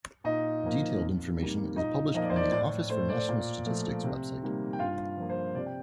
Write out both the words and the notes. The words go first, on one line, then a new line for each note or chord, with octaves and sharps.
Detailed information is published on the Office for National Statistics website.
A#2 D#4 D#5
F3 A#3
F2
D#3 G3 A#3
A#2 D#4 D#5
F3 A#3 D#5
D5
C5
D5
A2 D5
A3 C5
D5
A#2
F3 A3
C3
D#3 G3 A#3
G5
G2 F4 F5
F3 A#3
C5
C3 D5
G5